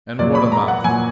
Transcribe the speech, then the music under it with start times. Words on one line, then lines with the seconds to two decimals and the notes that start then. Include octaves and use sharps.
And what a mouth!
0.19 A#2 F#3 D5
0.35 B5
0.52 A#5
0.68 F#5
0.84 A#2 F#3 G#5